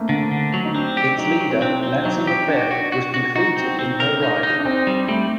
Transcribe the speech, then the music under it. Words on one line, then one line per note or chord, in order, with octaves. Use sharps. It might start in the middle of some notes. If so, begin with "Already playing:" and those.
Its leader, Nancy MacBeth, was defeated in her riding.
Already playing: A3 A#3 C4 D4
D3
D3
F#3
D#4
C4 D4
G4
F#3 D#4
F#3
C4
C4 D4
C4
D4
F#3 D#4
G4
D4 F#4
F#4
F#4
F#4
D#4 F#4
C4
C4
A#4
D4 D#4
D#4
D4
C4 D#4
G3
G3 A3